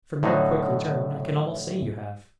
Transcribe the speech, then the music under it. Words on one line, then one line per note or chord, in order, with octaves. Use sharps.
From your quick return, I can almost say you have.
A2 D3 F#3 D#4 F#4